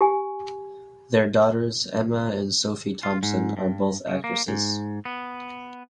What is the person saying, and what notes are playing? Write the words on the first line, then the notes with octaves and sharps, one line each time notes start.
Their daughters, Emma and Sophie Thompson, are both actresses.
G4 G#5
F4
G#2
G2
C#3
A#3
G#2
B3